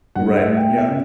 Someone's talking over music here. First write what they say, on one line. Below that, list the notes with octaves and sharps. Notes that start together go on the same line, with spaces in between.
Right, yeah.
G2 F#5
E5
A2
G5
B2
E5
C#3